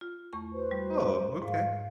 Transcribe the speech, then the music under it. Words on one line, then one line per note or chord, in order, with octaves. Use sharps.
Oh, okay.
F4
E2 A3 C#6
F#4 B4 C5
G3
G#2 F5